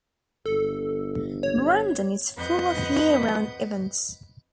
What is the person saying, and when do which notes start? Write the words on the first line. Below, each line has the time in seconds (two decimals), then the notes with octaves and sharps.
Brandon is full of year-round events.
0.46 G1 A4
1.43 C#5
2.36 F2 B4 D#5 F#5 G6